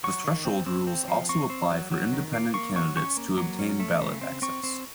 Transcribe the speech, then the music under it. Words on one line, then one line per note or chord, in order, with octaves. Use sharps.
The threshold rules also apply for independent candidates to obtain ballot access.
F#3 C#6
D#3
C4
C4
C4
F3
C4 C#6
C4
F#3
F#3
D#3
A#3
A#3 C#6
F#3 C#6
C#4 C#6
A#3
F#3
C#4
A3
C#3
C4
C4 C#6
C4